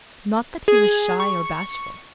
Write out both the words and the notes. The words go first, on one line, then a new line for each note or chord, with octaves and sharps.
Not that he was shy or bashful.
G#4
C#6